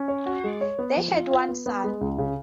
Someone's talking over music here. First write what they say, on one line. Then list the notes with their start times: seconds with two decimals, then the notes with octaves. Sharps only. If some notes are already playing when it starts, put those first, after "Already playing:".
They had one son.
Already playing: C#4
0.08 C#5
0.26 F#4
0.44 G#3
0.61 C#5
0.79 B3
0.97 F3
1.14 F4
1.30 F4
1.49 B3
1.66 B3
1.84 G#3
2.01 C#2
2.18 C#3